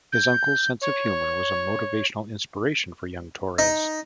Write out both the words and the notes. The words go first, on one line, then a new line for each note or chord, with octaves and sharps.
His uncle's sense of humor was a motivational inspiration for young Torres.
G6
C#5
D#4